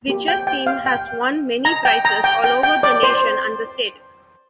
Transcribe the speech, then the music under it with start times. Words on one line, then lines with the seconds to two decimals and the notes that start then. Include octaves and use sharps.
The Chess Team has won many prizes all over the nation and the state.
0.08 A#3 G4
0.28 G5
0.47 G5
0.67 F5
0.86 G5
1.65 A#5
1.85 G5
2.05 A#5
2.24 G5
2.44 G5
2.63 G5
2.83 D5
3.03 C5